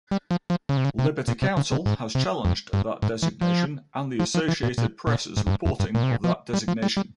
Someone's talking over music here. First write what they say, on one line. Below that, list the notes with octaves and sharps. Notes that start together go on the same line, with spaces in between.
Liberty Counsel has challenged that designation and the Associated Press' reporting of that designation.
G3
F3
F3
C#3
C3
C#3
C3
A#2
C3
C#3
C3
G#2
C3
F2
G2
G#2
E3
F3
F3
F3
E3
A#2
A#2
A#2
G#2
F2
G2
F2
G2
A#2
C3
A#2
F3
G3
F3
G3
G3